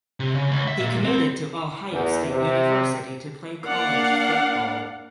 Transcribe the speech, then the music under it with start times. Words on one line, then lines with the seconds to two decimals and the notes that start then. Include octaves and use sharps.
He committed to Ohio State University to play college football.
0.20 C3
0.35 C#3
0.51 C#2
0.68 E5
0.80 A#2
1.04 C4
1.91 E2
2.29 C3
3.66 A#3 D4 D5 F5 F#5